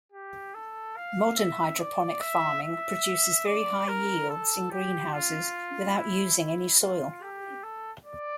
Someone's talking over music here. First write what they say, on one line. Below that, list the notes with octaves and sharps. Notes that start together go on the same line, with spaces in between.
Modern hydroponic farming produces very high yields in greenhouses without using any soil.
G4
A4
F5
E5
D5
E5
E5
D5
A#4
A4
G4
F4
E4
E4
F4
G4
A4
D5